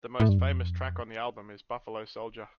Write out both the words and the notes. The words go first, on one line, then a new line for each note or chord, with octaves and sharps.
The most famous track on the album is Buffalo Soldier.
A2
G2
F2